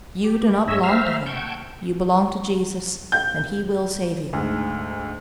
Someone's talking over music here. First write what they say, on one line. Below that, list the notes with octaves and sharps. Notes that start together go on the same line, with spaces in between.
You do not belong to hell. You belong to Jesus and He will save you.
G4
G2 C#5 D#5 E5 E6
C5 E5 F5 A#5 E6 F6
F#5 G5 A5 C#6 G6 G#6
G6
D2 G#2